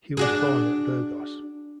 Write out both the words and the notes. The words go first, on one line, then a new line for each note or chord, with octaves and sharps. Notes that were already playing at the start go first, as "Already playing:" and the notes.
He was born at Burgos.
D4 F#4 G#4